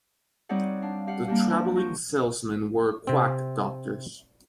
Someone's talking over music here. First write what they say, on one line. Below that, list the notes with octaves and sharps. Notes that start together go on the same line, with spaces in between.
The traveling salesmen were quack doctors.
G3 C4 D#4 C#5 D5 F#5
D4 F5
G4 F5 F#5
G3 A#3 D4 G4
F3 D4
A#4 C#6 G6
C3 C4